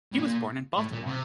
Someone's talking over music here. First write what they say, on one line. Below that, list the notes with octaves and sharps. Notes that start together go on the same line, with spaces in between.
He was born in Baltimore.
A2
A#2
A2
A#2
C3